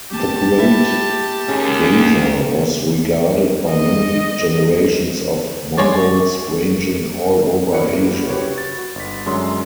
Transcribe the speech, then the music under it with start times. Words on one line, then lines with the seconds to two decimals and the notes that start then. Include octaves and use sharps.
The Great Yasa was regarded by many generations of Mongols ranging all over Asia.
0.10 G4 A5
0.58 E4 E5
1.48 D#2 C#4 G#4
3.69 D#5
5.77 G#3 C#5 D5
7.71 G2 A#3 E4 F#4 B4 C#7
8.29 F#4 G4 B4 C#5
8.58 A6
8.79 F#4
8.95 G1 B6
9.26 F#2 D3 F#3 G#3 C#5 C6